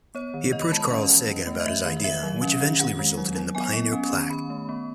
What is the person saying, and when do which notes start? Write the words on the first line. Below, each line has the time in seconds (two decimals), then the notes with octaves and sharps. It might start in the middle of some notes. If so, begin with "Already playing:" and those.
He approached Carl Sagan about his idea, which eventually resulted in the Pioneer plaque.
0.15 B3 C#5
0.34 D#3
0.52 D#3 D#5
0.62 B5
0.72 G#3 A5
0.81 B5
0.90 C#4 D#5
1.09 E3
1.29 E3
1.47 A3
1.60 D#5
1.66 A3 E5
1.85 D#3
2.04 D#3 E5
2.23 F#3
2.42 C#4
2.61 D#3
2.80 D#3 F#5
2.99 G#3
3.17 F#3
3.36 F#3
3.55 B3 G#5
3.73 B3
3.93 C#4
4.12 D#3
4.30 D#3 B5
4.50 A3
4.69 B3